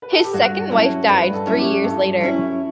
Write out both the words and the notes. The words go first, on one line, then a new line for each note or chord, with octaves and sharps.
His second wife died three years later.
B4
A4
G4
G2 F#4
F#3 C#4 E4 A4
G2 B4
A4
F#3 C#4 E4
G4
G2 A4
F#3 C#4 E4